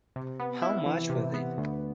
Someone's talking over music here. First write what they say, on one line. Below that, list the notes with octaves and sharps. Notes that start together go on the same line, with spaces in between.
How much was it.
C3
B3
E4
E3
C3
B3
D2